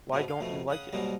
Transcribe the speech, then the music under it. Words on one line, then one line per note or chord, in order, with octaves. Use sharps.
Why don’t you like it?
G#2 B2 A3 B3 C#4
F5
F2 B2 A3
C#3 F#5 D#6
G#2 B2 F#3 G3 A#3 B3